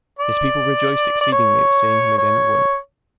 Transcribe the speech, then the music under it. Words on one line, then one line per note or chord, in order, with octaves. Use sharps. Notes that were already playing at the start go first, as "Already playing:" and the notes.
His people rejoiced exceedingly at seeing him again at work.
D5
D5
C#5
C#5